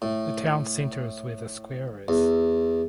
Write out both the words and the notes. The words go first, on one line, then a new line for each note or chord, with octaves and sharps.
The town centre is where The Square is.
A2
E2